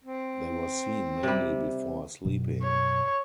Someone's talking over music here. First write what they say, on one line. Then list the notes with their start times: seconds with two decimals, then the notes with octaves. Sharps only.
They were seen mainly before sleeping.
0.04 C4
1.23 C3 G3
2.25 F#2 B2 F#3
2.63 C#5